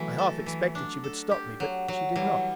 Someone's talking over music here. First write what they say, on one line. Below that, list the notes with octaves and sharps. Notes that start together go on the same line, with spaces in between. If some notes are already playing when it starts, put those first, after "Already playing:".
I half expected she would stop me, but she did not.
Already playing: E3 F#3 A3
A4
E3
D4
A4
G4
F#3
F#3
E3 F#3 G3